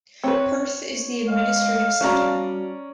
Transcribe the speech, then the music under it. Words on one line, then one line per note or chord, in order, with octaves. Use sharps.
Perth is the administrative centre.
C4 B4 C#5
G#3 F5
G3 C#4 F#4 D5 A5 A#5